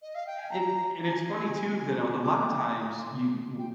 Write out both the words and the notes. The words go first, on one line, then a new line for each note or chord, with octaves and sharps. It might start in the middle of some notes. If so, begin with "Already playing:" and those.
And and it's funny too, that a a lot of times, you, w
D#5
F5
G5
G#5
A#5
A#5
G#5
D6
D#6
D6
C6
G5